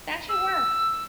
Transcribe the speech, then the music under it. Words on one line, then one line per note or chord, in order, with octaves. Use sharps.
That should work.
E6